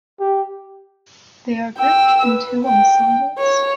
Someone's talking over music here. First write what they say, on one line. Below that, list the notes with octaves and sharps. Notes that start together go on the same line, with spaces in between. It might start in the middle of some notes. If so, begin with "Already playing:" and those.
They are grouped in two ensembles.
G4
G5 E6
B4
G5
C#5